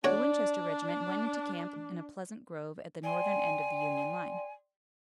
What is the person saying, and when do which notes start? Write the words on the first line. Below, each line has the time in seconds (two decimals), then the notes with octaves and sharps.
The Winchester regiment went into camp in a pleasant grove at the northern end of the Union line.
0.04 D4 F#4 C#5 D5 F#5
3.04 D5 G5 G#5 C6